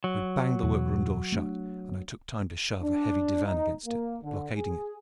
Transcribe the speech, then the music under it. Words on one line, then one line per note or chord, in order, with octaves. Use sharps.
We banged the workroom door shut and I took time to shove a heavy divan against it, blockading it.
F#3
E2 B2
A3 A#3 D4
D4
D#4
A#3
D3
G#4